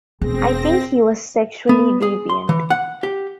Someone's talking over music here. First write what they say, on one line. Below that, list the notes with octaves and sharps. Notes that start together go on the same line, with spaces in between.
I think he was sexually deviant.
E1 C4 G#4 A#6
B3
G#4
C6
E3
F#5
G4